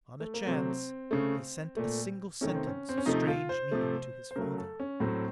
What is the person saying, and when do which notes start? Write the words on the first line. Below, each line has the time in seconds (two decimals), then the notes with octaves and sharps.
On a chance, he sent a single sentence of strange meaning to his father.
0.20 A3
0.34 A#3
0.46 C3 F#3 A3 C4
1.11 C#3 A3
1.77 A#2 A3
2.41 C3 D#3 A3 C#4
2.55 C4
2.67 C#4
2.89 C4
2.98 C#4
3.06 C3 F3 A3 D#4
3.28 F4
3.49 C5
3.71 C3 F3 A3
4.31 C5
4.36 C#3 F#3 A3 A#4
4.58 A4
4.80 C#4
5.00 A2 F#3 A3 C4